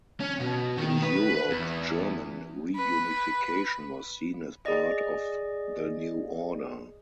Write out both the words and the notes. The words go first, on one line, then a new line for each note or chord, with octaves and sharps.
In Europe, German reunification was seen as part of the new order.
C#4
B2
D#3
B4
E2
B4
G#4 D5 D#5